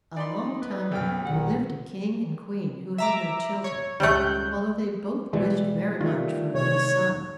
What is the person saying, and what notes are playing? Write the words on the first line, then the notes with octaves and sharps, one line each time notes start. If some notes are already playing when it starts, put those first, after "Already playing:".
A long time ago there lived a king and queen who had no children, although they both wished very much for a little son.
D#4 D5 B5 C6
G3 B3
B1 F#2 G5 F6
A#1 A#2 D#3 F#5
E5 A#5 D6
C#5
C#2 G3 A3 F#6 G6
B2 E3 G3 G#3
D#3 G3 A3 F4
C3 C#5